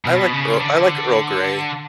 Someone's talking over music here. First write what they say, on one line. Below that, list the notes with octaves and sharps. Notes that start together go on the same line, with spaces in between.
I like Earl I like Earl Grey.
B2
C#3
D3